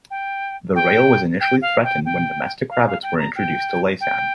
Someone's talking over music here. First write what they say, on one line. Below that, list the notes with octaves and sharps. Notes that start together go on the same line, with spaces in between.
The rail was initially threatened when domestic rabbits were introduced to Laysan.
G5
G5
G5
F5
G5
G5
F5
F5
G5
A#5
G5
G5